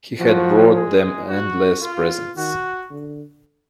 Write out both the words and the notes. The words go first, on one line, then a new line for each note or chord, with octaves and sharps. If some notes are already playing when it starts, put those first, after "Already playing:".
He had brought them endless presents.
F3 F#4
G#3 G#4
F#4
F4
D#3 F#4
D3